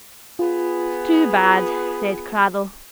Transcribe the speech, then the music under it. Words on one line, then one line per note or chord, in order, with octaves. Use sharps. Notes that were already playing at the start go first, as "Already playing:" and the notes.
"It's too bad," said Cradell.
B3 F4 G#4